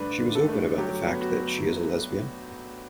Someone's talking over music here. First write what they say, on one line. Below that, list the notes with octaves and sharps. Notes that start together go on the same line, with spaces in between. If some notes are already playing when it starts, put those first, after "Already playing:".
She was open about the fact that she is a lesbian.
Already playing: G2 D3 A3 D4 B4
D3
A4
A3
F#3 G4
B3
F#4